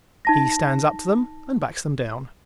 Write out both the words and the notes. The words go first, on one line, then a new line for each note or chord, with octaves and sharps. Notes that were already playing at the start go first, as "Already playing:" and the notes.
He "stands up to them" and backs them down.
D#4 A5 A#6